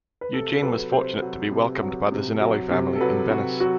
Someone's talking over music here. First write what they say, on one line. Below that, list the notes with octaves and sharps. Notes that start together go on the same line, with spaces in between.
Eugene was fortunate to be welcomed by the Zinelli family in Venice.
B4
C3 A4
A4
F#3 B4
C3 C5
F#3
C3
F#3
C3
F#3
C3
A4
F#3 B4
C3 F#4
F#3 F#4